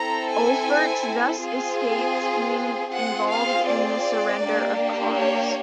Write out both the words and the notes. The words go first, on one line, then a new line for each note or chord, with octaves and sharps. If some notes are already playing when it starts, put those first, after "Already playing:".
Olpherts thus escaped being involved in the surrender of Kars.
Already playing: C4 E4 A4 A#5
G#5
C4 F4 G#4
C4 F4 G#4 F#5
F5
D5
A#3 D4 G4
C#5